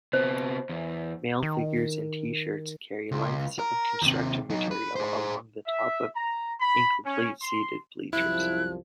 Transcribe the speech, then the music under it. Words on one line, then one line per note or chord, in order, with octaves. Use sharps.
Male figures in Tshirts carry lengths of construction material along the top of incomplete seated bleachers.
C3 B3 C5
E2
D#3
C#2
A#4
D#2 C3
F#3 D#4
B4
G#4 C5
E5
A#5
B5
C#4
C6
C2 F#2 F3 E4 F#6